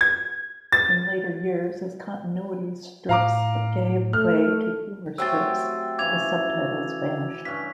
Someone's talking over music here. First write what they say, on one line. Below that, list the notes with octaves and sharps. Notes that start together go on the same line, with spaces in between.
In later years, as continuity strips gave way to humor strips, the subtitles vanished.
G#6
A6
A2 F5 A#5 D6
A3 F6
F#3 A3 C4 G4 G#5 C6 E6 A6
C#3 E3 D6 G#6 F7
G2 C#4 B6